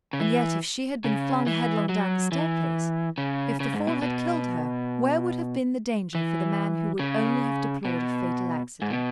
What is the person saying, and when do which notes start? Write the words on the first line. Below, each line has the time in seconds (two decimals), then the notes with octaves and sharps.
And yet, if she had been flung headlong down the staircase, if the fall had killed her, where would have been the danger for the man who would only have deplored a fatal accident.
0.13 C#3
0.20 E3
1.04 C#3
1.46 E3
1.89 F#3
2.32 E3
3.18 C#3
3.60 C#3
3.73 G#2
3.87 B2
4.02 B2
6.15 E3
6.99 C#3
7.85 B2
8.82 G#2
8.91 B2